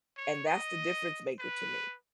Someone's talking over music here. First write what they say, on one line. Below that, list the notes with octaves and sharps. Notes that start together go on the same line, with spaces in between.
And that's the difference maker to me.
C#5
D#5
B4